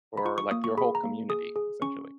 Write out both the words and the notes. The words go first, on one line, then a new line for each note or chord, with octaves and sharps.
for, like, your whole community, essentially.
B5
F4 C#6
C#6
A#3 D#6
C#6
G#4 B5
A#5
A#3
G#4 D#6
G#4
C#4 C#6